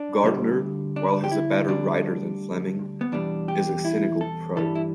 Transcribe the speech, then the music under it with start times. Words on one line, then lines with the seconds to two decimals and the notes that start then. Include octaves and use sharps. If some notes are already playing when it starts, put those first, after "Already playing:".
Gardner, while he's a better writer than Fleming, is a cynical pro.
Already playing: D4
0.23 D2 D3 G3
0.96 D4
1.24 G4
1.31 E4
1.68 D2 D3 G3 D4
3.01 B3
3.12 E2 B2 G3 D4
3.48 G4
3.85 E4
4.21 A4
4.57 G2 E3 G3 A4
4.75 E4